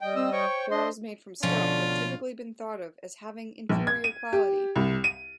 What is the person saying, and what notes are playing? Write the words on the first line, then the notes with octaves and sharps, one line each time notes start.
Barrels made from skelp have typically been thought of as having inferior quality.
G3 D#5 G5
C4 E6
C5 C#5 G5 C#6
D4 D#5 C6
B2 D3 F3 C#4 F4
A#1
G#6
D#7
G4
C2
D#7